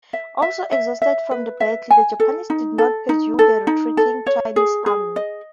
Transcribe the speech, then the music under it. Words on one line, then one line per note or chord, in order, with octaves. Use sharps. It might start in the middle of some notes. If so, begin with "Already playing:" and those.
Also exhausted from the battle, the Japanese did not pursue the retreating Chinese army.
E5
E5
E5
E5
B4
E5
G#5
A4
D#4
A4
D#4
A4
D#4
A4
C#5
G#4
G#4
D#5